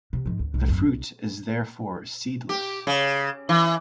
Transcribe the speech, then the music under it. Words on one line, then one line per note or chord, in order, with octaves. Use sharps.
The fruit is therefore seedless.
C3
G#2 F3
D2
C2
G#1 F#2
C2
G4
C#3
E3